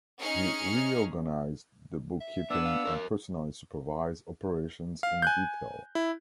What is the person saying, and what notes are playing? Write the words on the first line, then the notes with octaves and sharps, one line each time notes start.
He reorganized the bookkeeping and personally supervised operations in detail.
C#4 D#4 G#4 F6 C#7
E5
B3 D4 E6
F5
A#4 C#5
F5
G#5 F#6 G6
E4